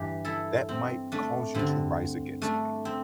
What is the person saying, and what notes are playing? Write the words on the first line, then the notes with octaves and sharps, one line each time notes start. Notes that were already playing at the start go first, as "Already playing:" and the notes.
that might cause you to rise against me.
Already playing: G2 E3 G4
E4 A4
C4
A3 D4
G2 D3 C4
A3 D4
C4